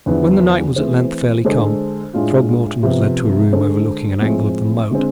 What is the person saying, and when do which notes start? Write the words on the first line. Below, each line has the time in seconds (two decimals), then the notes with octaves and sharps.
When the night was at length fairly come, Throgmorton was led to a room overlooking an angle of the moat.
0.06 E2 D3 F3 B3 E4
0.76 E3 A3 C4 G#4 C5
1.45 D3 G#3 D4 A4 C5
2.13 A2 G#3 D4 F4
2.83 C3 F3 B3
3.53 D3 G#3 D4 A4 C5
4.21 A2 F3 G#3 C4
4.91 D3 G#3 C4